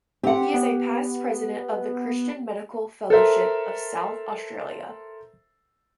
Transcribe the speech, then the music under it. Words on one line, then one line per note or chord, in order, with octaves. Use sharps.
He is a past president of the Christian Medical Fellowship of South Australia.
C4 G4 F#5
B3
A4 A#4 C5 E5